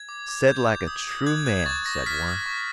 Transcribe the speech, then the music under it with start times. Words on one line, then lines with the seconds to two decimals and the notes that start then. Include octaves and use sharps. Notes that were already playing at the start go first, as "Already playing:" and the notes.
"Said like a true man," said one.
Already playing: G#6
0.09 D6
0.28 D6
0.48 G6
0.68 G6
0.87 D#6
1.07 D#6
1.26 F#6 G#6
1.46 F#6 G#6
1.59 G#6
1.66 C#6 A6
1.86 C#6 A#6
2.06 F6 B6
2.26 F6
2.46 C#6